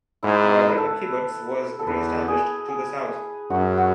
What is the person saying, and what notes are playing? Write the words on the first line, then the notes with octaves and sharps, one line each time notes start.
However, the kibbutz was re-established to the south.
G#2 E4
B4
A4
A4
E2 B4
G#4
G#4
F#2 F#4
F#4